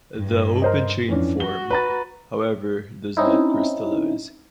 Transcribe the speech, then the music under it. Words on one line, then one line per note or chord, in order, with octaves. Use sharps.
The open-chain form, however, does not crystallize.
G2
A#4 C5 D#5
F2 E3 C#4 D4
F#4 G7
B4 A#5 A6
C4 C#4 D#4 E4